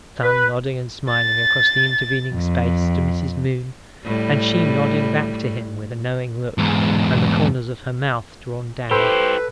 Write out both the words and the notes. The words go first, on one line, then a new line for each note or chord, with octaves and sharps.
Sun nodding and smiling across the intervening space to Mrs. Moon, and she nodding back to him with a knowing look, and the corners of her mouth drawn down.
B4
A6
F2
A2 G3
E2 G#2
E4 G4 A4 B4 C5 B5 E6